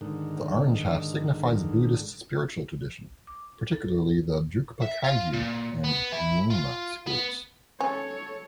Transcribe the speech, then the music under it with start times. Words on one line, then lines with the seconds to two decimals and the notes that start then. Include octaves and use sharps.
The orange half signifies Buddhist spiritual tradition, particularly the Drukpa Kagyu and Nyingma schools.
0.01 G#2 D3 D#3
3.27 D6
3.72 A4
4.82 E5
5.04 F4
5.33 A#2
5.84 B3
6.12 E4
6.50 F4
7.07 B3
7.80 C#4 A4 C#5